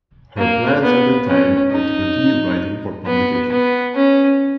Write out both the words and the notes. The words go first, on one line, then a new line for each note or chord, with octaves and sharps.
Her plans at that time were to continue writing for publication.
A#3
B3
C#4
D#4
B3
B3
C#4